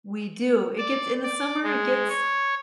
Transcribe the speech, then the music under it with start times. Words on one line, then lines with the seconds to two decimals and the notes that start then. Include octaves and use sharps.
We do. It gets in the summer, it gets,
0.78 D5
1.24 D5
1.64 G#3
2.09 C#5